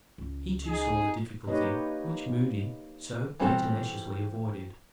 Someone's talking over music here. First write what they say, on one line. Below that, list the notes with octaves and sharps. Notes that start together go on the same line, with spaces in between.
He too saw the difficulty which Moody so pertinaciously avoided.
C#2
D#4 G#4
A#3 D#4 G4 B4 C#5 D#5
E3 G3 C4 F#4 A4